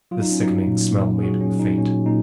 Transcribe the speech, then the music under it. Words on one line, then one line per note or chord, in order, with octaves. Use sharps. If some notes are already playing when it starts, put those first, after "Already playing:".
The sickening smell made him faint.
F#3 F4
D#4
C#4
F#3 D#4
A#2
A#2
G#4
F#3 F#4
C#4
F#3
D#4
A#2 C#4
A#2 D#4